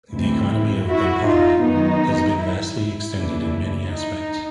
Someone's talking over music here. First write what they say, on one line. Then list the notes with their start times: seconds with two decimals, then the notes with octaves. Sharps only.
The economy of Gampaha has been vastly extended in many aspects.
0.13 D2 C3 E3 G#3 C4 E4
0.87 E4 F#4
1.25 D#4 F4
1.63 F#2 D#3 G#3 B3 D#4
2.39 E4
2.77 E4
3.14 D#2 C#3 E3 A3 D4
3.90 D#4